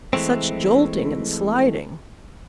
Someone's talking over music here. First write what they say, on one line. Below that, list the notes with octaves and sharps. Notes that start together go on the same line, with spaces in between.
Such jolting and sliding!
E3 G#3 A3 C4